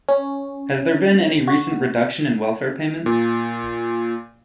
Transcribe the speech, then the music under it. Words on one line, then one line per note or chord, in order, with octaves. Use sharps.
Has there been any recent reduction in welfare payments?
C#4
F#4
A#2